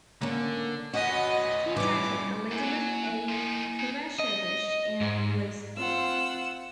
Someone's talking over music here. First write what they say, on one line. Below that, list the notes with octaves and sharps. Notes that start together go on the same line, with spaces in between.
He dated Elizabeth A. Kovachevich in law school.
D3 A#3 C#4
C#4 F#4 B4 D#5
E3 G3 D6
F#2 A#3 E4 G#5
F#3
F3 D#4
D#4 G#4
D#5
G#2
C4 F4 F#5 E6